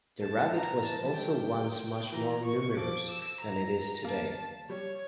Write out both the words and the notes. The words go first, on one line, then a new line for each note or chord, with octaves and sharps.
The rabbit was also once much more numerous than it is today.
A3 A5
A#5
E3 A5
F3
G3
A3 G5
G3
E3 A#5
C#6
F3 D6
E6
A#5
A#3 A5
G3 C#5